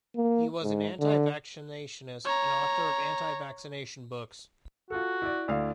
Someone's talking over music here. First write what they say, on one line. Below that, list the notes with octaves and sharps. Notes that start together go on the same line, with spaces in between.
He was an anti-vaccinationist and author of anti-vaccination books.
A#3
G#2
D3
C#5 A#5
F4 F#4 A4
E4 D5
D2 F5